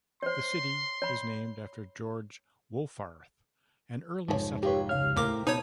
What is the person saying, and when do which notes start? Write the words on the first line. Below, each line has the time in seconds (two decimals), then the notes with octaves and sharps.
The city is named after George Wolffarth, an early settler.
0.23 C5 C#5 C6
1.02 C#5 B5
4.28 F1 G#2 F3 A4 C#5
4.63 D#3 F4 G4 B4 C#5
4.89 C#2 C#5 F5 F6
5.16 D#2 A2 G4 A#4 C5 D6
5.47 B2 D#4 C5 C#5 A5 B5 D#6